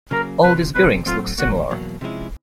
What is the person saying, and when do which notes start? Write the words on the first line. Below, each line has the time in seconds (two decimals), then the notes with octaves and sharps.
All these bearings look similar.
0.11 C#3 F#3 A#3 A#4
0.43 C2 C3 F3 B4
0.75 B2 G3 C4 B4
1.06 A2 F#3 A3 C4 F4
1.38 A2 E3 G3 A#3 F#4
1.70 E2 B2 F#3 A#3
2.01 C3 F3 G#3 C#4 E4